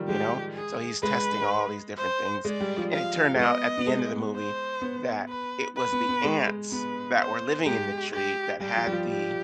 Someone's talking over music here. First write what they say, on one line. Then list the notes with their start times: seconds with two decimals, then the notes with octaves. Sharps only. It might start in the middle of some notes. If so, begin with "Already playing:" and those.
you know? So, he's testing all these different things, and it turned out at the end of the movie that it was the ants that were living in the tree that had the
Already playing: D#3 F3 G3
0.08 G#3 G4
0.55 G#4
1.03 G#3 B4
1.98 C5
2.45 G#3 D5
2.61 G3
2.77 F3
2.92 F5
3.35 G#3
3.40 B3 D#5
3.78 B3
3.87 G#3
4.35 C5
4.82 B3
5.29 B4
5.76 B4
5.92 B3
6.09 B3
6.24 G#3
6.47 G#3
6.71 B3 B4
7.19 C5
7.66 G#3 G4
8.13 G4
8.60 G3 G4
8.77 F3
8.86 G3
8.92 F3
9.08 G4